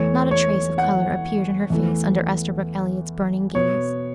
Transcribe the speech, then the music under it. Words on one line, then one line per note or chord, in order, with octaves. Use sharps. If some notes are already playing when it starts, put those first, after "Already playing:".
Not a trace of colour appeared in her face under Esterbrook Elliott's burning gaze.
Already playing: E2 E3 A3 C#5
C#5
F#5
E2 E3 A3
B2 B3 C#5